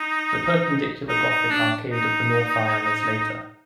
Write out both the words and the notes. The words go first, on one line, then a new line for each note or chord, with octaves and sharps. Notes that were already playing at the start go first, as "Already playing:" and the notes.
The Perpendicular Gothic arcade of the north aisle is later.
Already playing: D#4
D#4
D#4
D4
D#4